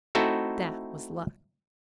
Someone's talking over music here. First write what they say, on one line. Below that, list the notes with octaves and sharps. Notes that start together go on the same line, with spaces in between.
That was luck.
A3 C4 D#4 E4 F#4 A4